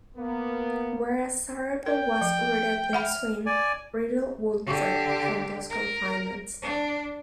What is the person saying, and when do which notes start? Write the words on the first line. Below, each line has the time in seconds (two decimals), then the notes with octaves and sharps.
Whereas Siravo was rooted in swing, Riddle would break from those confinements.
0.17 A#3 B3
1.86 A#4 G5
2.21 F3
2.93 E5 F#5 B5 F6
3.46 D5 G#5
4.66 D3 G4
5.70 A#4
6.62 D4